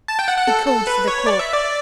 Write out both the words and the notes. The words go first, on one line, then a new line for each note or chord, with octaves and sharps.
He called for the cork.
A5
G5
F#5
F#5
A4
A4
B4
C#5
D5
E5
D5